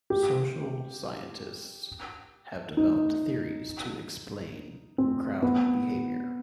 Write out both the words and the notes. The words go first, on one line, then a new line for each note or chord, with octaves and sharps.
Social scientists have developed theories to explain crowd behavior.
G4
D#4
C4
B3